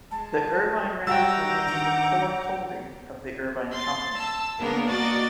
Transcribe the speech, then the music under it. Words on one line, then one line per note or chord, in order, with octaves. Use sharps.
The Irvine Ranch remains the core holding of The Irvine Company.
G#3 A5
G3 F#4 E5 G5 A#5 D6 E6 G6
D#3 D4 F#5
C6 A6
A5 E6
C#3 A#3 B3 D4 A#4
A#3 F#4 D5 D#5 A6